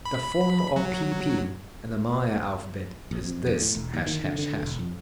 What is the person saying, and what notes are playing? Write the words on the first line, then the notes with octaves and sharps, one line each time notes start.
The form of pp in the Maya alphabet is this, ### .
B5
F#3
A#1
F2
E2
A2
E1
D#2
D#3
D3
D3
E1
F2